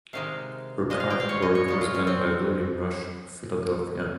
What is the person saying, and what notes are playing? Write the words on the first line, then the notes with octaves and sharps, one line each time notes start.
Her carved work was done by William Rush of Philadelphia.
C3 D#3 G#3 F5
A#2 F3 G#3 D#5
F5
G5
F5
C#5
D#5
C#5
A#2 G#3 C#5
F4
C#4
C4